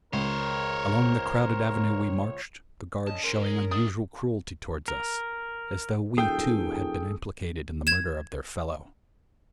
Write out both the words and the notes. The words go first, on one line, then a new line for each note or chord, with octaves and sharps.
Along the crowded avenue we marched, the guards showing unusual cruelty toward us, as though we, too, had been implicated in the murder of their fellow.
C#2 A#4 C5 C#5
D3 C#4 D#5 A5
C#4 G#4 A#4 C5
G#3
A#2 D4 D#6
A#4
D#1 G#4 A4 G5 G6
G#6 E7